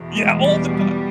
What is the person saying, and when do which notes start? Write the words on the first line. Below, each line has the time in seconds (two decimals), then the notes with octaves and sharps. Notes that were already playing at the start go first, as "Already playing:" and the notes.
Yeah, all the time.
Already playing: E2 B2
0.12 G#3
0.40 G3
0.68 G3